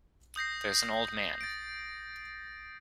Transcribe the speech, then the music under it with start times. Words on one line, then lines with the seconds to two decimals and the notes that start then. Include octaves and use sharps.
There's an old man.
0.36 D#6 G6 A#6 C7
1.41 A6 D7